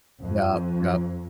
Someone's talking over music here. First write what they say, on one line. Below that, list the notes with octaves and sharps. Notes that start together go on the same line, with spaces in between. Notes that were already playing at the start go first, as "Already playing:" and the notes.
Yup, yup.
F2